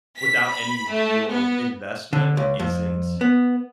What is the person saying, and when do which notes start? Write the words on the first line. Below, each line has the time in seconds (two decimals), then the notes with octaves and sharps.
without any real investment isn't,
0.18 B6
0.51 B5
0.92 A3
1.30 B3
2.13 D3
2.37 C#2
2.59 F2
3.21 B3